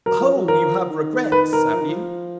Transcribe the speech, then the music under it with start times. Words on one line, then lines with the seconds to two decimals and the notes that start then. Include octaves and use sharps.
"Oh, you have regrets, have you?"
0.06 F#3 A#4
0.20 F3
0.35 F#3
0.48 F3 A#4
0.90 D#3
1.32 B4
1.53 A#4
1.73 F3
1.81 D#3
1.89 F3